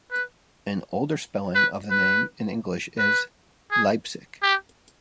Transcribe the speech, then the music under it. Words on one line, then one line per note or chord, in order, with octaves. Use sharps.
An older spelling of the name in English is Leipsic.
B4
B4
B4
B4
G#4
G4